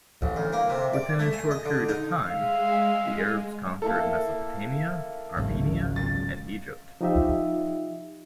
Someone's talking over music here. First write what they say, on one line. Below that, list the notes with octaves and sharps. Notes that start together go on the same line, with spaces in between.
Within a short period of time, the Arabs conquered Mesopotamia, Armenia and Egypt.
A1
D2
A#3
C3
D5
A3
G#5
D#5
D3
D#4
G#3 E5 F5
A#3 E4 A4
G#1 C#2 F#2
A6
F3 D#4 F4 G4 D#5 E5